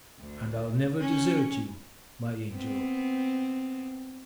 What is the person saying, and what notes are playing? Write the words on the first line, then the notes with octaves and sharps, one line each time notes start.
And I'll never desert you, my angel.
D2
C#4
B3 C4